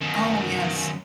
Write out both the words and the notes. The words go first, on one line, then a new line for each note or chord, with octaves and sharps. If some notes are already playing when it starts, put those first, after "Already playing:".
Oh, yes.
F#2 D#3